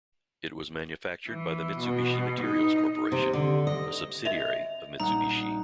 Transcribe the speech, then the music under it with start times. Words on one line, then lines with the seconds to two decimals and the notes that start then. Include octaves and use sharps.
It was manufactured by the Mitsubishi Materials Corporation, a subsidiary of Mitsubishi.
1.28 E3
1.79 B2
2.42 D#4
3.12 C3
3.33 D3
3.67 D#5
4.25 D#5 E5 F7
5.00 A#1 G3 D#4 F#5 A#5